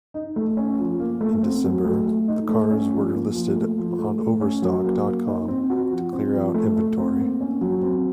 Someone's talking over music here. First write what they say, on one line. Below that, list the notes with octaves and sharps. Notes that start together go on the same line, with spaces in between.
In December, the cars were listed on Overstock dot com to clear out inventory.
D#4
A3
C#4
F3
A#3
A3
C4
F#3
A3
A3
D#4
A3
C#4
F3
A#3
F3
A3
F3
A3
A3
C#4
F#3
A#3
A#3
D#4
C4
F#4
F3
C4
F3
A3
A3
C4
A#3
C#4
F#3
C4